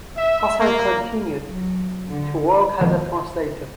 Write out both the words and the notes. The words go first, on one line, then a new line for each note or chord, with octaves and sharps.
Hasan continued to work as a translator.
E5
A#3
F#3
D3
F2 B2 D#3 F3 G#3 A#3